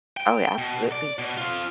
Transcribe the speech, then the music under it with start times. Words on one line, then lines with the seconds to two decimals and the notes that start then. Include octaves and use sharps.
Oh, yeah, absolutely.
0.17 G5
0.58 B2
0.92 D5
1.19 B2
1.37 C4 F4